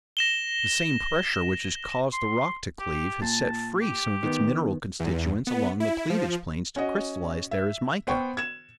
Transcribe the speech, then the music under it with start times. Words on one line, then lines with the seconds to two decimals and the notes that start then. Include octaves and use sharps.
The same pressure which has caused the rock to cleave has set free some of its mineral constituents along the cleavage planes to crystallize there as mica.
0.17 A#6 E7 G7
2.13 C6
2.80 G4
3.22 A#2 A5
3.82 G4
4.23 D#3 B3
5.00 E2
5.47 B3
5.80 E4
6.10 F3
6.76 C#4 F#4 D#5
7.51 E5
8.07 B3 C5 G5 C#6
8.37 G#6 E7